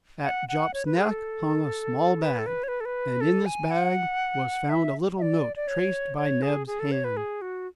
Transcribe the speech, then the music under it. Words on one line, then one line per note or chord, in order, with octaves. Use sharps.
At Jup's neck hung a small bag, and in this bag was found a little note traced by Neb's hand.
F#5
F#5
C#5
B4
G#4
A4
B4
A4
B4
C#5
B4
A4
B4
A4
G#5
F#5
E5
E5
D5
D5
C#5
C#5
G#4
G#4
A4
C#5
B4
G#4
F#4